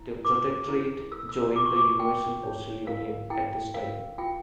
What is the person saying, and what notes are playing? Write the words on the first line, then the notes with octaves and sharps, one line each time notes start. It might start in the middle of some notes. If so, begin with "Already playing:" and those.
The protectorate joined the Universal Postal Union at this time.
Already playing: E4
A#4 D6
E4
A4 E6
E6
F4 D6
C#6
D6
F4 G5
C#5
A#4 F5
E4 G5
A#4 F5
F4 G5